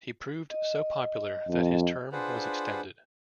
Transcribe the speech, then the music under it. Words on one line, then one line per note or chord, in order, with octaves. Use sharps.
He proved so popular that his term was extended.
D#5
F2
D4 F4 G#4 B4 C5 F#5